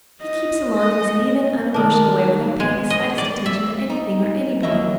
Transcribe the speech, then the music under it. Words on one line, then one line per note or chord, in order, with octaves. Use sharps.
He keeps along his even, unemotional way without paying the slightest attention to anything or anybody.
D#5
D#5
D#3 D4
G#3
D#5
D5
E5
D#4
D#2 F#3 A#3 D#5 E5